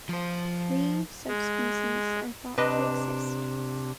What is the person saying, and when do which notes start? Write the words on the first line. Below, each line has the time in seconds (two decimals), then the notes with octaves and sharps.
Three subspecies are thought to exist.
0.09 F3 C5
1.28 G#3
2.58 C3 D4 B4 D#5